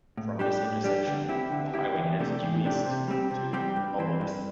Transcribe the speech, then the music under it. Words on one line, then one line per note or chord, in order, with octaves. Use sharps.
From this intersection, the highway heads due east to Opolis.
A2
G3 D4 G4
A2
G3 D4 G4
D3
C4 E4 G4
D3
C4 E4 G4
E2
C3 A3 D4 G4
E2
C3 A3 D4 G4
C3
G3 C4 G4
C3
G3 C4 G4
G2
E3 C4
G2